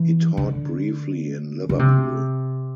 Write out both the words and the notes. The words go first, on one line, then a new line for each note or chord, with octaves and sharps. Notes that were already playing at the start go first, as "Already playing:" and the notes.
He taught briefly in Liverpool.
Already playing: E3
D3
D3
C3